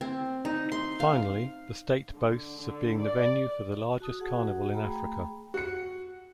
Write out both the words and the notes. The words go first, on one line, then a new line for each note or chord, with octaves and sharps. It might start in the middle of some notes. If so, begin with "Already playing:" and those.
Finally, the state boasts of being the venue for the largest carnival in Africa.
C4
D#4
C6
F5
D3
D3
D5
F#4 A5 D#6
F#4 G#4 F#5
A3 G#4 G5 A#5 B5
F#4 C#7